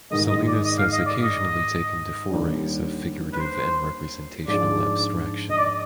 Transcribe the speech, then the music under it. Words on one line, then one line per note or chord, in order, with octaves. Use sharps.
Salinas has occasionally taken to forays of figurative and representational abstraction.
G#2 D#3 G#3 D#5
D#5
D5
D#5
F5
D#5
D5
D#5
D#2 D3 G3
B4
C5
G#2 F3 G#3 D4 F4 D5
D#5
D5